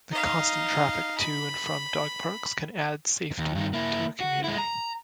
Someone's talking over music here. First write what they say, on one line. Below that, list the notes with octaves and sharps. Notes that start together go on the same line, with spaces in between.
The constant traffic to and from dog parks can add safety to a community.
D#4 F5
B5
D#2
G2 D#3
A#3 E4
F#4
G#3 E4
A#5